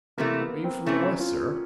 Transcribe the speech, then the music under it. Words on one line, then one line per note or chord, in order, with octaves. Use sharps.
Are you from the west, sir?
C3 E3 A3 A#3
B3
C4
C3 E3 A3 C#4
F4